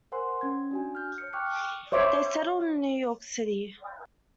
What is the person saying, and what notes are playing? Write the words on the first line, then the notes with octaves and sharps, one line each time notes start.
They settled in New York City.
A#4 C5 F#5 G#5 C6
C#4 G#6
D4 F#4 G#5
F6 G6
C#7
G5 C#6 D6 F6 F#6 C#7
C5 C#5 E5 D6